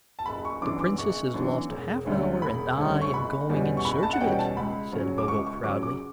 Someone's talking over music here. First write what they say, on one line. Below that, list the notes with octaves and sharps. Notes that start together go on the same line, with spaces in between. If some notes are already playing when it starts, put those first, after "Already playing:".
"The Princess has lost a half-hour and I am going in search of it," said Bobo, proudly.
A5
F#1 B5
C#6
F#2 E3 B3 D4 D6
D6
F#1 C#6
F#2 E3 B3 D4
E1
D2 D3 G3 C#4
E1 B5
D2 D3 G3 C#4
C#6
F#1 B5
E2 B2 G3 C#4
C#6
F#1 B5
A5
F#5
E2 B2 G3 C#4 G5
A5
C#2 B5
C#3 F#3 C#4
D6
C#2 C#6
C#6
C#3 F#3 C#4 D6
D6